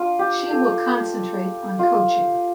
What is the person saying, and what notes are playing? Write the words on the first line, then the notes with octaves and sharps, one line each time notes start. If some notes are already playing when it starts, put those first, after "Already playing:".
She will concentrate on coaching.
Already playing: D4 F4
G4
A4
F4